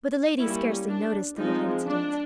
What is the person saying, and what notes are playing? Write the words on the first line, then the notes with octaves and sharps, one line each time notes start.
But the lady scarcely noticed the little incident.
G3 A#3 C#4 E4
D4
F3 G#3 C4 D#4
D4